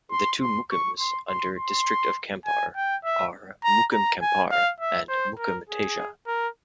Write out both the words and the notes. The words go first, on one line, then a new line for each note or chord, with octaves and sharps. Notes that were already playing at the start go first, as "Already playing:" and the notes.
The two Mukims under District of Kampar are Mukim Kampar and Mukim Teja.
C6
C6
C#6
C6
C6
C6
G#5
G5
E5
A#5
A#5
G#5
F5
E5
C5
A#4
G#4
A#4